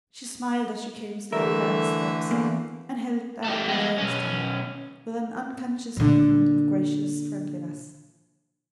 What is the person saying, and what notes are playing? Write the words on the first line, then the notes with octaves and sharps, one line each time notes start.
She smiled as she came slowly down the steps, and held out both hands to him with an unconscious movement of gracious friendliness.
D3 E3 A3 A#4 E5
E2 A#3
A3 G4
G#3 B3
B1 C#4
A#2 D3